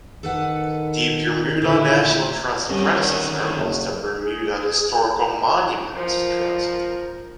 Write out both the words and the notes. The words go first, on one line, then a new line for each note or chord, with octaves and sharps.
The Burmuda National Trust's predecessor was the Bermuda Historical Monuments Trust.
D#3 A4 B4 F#5
A#2 D3 A3 E4
D2 D#3 G3 C4 C#4 A#4
F#1
G#4
F3 A#4 C5